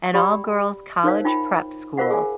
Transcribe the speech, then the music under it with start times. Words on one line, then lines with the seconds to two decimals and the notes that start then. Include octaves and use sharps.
an all-girls college prep school
0.14 G4 D5 G5 B5
1.04 D#4 A#4 C5 C#5 F5
1.25 D#4 F4 G5 B5
1.97 F4 A#4 C5 F5 F#5
2.11 G#4 G#5